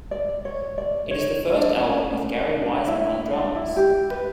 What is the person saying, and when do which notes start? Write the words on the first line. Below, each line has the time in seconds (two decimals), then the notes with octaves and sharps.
It is the first album with Gary Wiseman on drums.
0.11 D5
0.45 C#5
0.78 D5
1.11 C#5
1.49 E4
1.55 D4
1.77 C#4
2.11 C#4
2.44 D4
2.66 D4
2.88 E4
3.33 D4
3.44 D4
3.55 E4
3.76 G4
4.10 B4